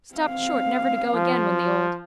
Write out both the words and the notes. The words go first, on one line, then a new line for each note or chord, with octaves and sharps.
Stopped short never to go again when the old.
C4 F5
F3